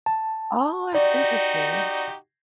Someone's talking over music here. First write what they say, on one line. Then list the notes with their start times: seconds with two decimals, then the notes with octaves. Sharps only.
Oh, that's interesting.
0.06 A5
0.95 D#4 F#4 G4 D5